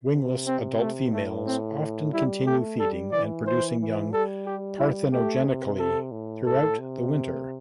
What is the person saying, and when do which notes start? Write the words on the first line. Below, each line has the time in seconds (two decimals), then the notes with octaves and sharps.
Wingless adult females often continue feeding and producing young parthenogenetically throughout the winter.
0.14 C3
0.47 C4
0.80 A3
1.13 A2 A3
1.46 C4
2.13 G3 E4
2.46 A3 G4
2.79 G3 A4
3.12 E3 D5
3.47 C5
3.79 E3
4.12 G3 A4
4.46 G4
4.79 E4
5.12 A3 G4
5.45 C3
5.79 A4
6.12 A2
6.45 A2 A4
6.79 C3